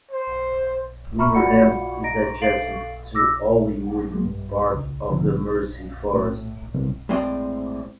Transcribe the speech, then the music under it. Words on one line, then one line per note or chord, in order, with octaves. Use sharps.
Weaverham is adjacent to Owley Wood, part of the Mersey Forest.
C5
E5 A#5 B5 C#6 F6
F4 F#4 D5 F#5 B5 C#7
D#5 A#5 A#6 D7
A4 F5 A6 C7 D7 F#7
D6 E6 A#6
F#3 G#3 A#3
G2
C#2
G#2 B2 D3 F3
A2
C2
A2 G#3 C4 G#4 D5